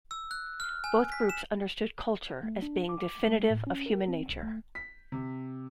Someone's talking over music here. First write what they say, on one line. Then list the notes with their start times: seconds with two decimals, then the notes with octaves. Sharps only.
Both groups understood culture as being definitive of human nature.
0.11 E6
0.31 F#6
0.60 F6
0.84 G#5
1.12 B6
1.29 E7
2.43 A3
2.62 D4
2.89 D6
3.27 G#3
3.50 A2
3.67 C#4
3.86 A#4
4.08 C4
4.29 B1
4.43 A3
4.75 B6
5.12 C3